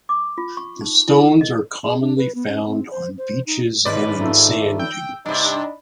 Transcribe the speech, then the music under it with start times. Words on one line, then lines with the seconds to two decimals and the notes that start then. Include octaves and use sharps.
The stones are commonly found on beaches and in sand dunes.
0.09 D6
0.38 F4
0.57 C#6
0.81 D#4
1.08 E4
1.41 D#5
1.84 G#4
2.00 D4
2.18 B4
2.35 B3
2.48 C#4
2.66 C4
2.91 C5
3.18 C5
3.46 D#4
3.85 D#2 G#2 G#3 B4 D5
4.21 A3 D#4 F4 E6
4.79 G5 E6
5.26 G2 C3 D4 D#4 D5 B5